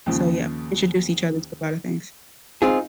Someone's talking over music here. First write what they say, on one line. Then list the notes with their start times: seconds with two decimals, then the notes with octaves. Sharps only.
So, yeah, introduce each other to a lotta things.
0.06 D#2 C#3 F3
2.62 C4 D#4 F4 G#4